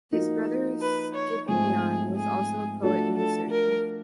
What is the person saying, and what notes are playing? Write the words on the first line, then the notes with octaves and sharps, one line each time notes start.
His brother Scipion was also a poet and a surgeon.
F3 A#3 D#4 F#4
B4
C#5
G#2 F3 A3 C4 G#4
G#4
F3 A3 D4 F#4 A4
A4
A#4